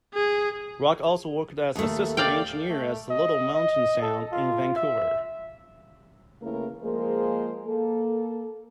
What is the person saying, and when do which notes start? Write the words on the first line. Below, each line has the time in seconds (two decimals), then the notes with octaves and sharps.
Rock also worked as an assistant engineer at Little Mountain Sound in Vancouver.
0.14 G#4
1.76 D#2 A3
2.17 D5 F5 G5
2.69 A3
3.10 D#5
3.54 D#5
4.02 A4
4.32 F4
4.76 E5
6.41 C#3 E3 A3 A#3 E4 A#4
6.83 F3 G#3 A#3 G#4 A#4 C5
7.66 A#3 A4